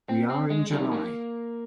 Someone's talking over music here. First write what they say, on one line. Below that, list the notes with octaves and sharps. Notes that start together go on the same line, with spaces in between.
We are in July.
C4
C4
G#3
F2 D#3 G3
A#3